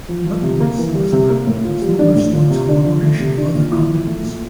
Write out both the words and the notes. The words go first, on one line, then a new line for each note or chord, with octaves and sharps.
Another great source of revenue was LunarStorm's cooperation with other companies.
F3
F3
C3
A#3
E3
G3
C3
A#3
A2
F4
G3
D4
A2
F4
C3
D4
F3
A3
C3
D4
A#2
E4
F3
A3
A#2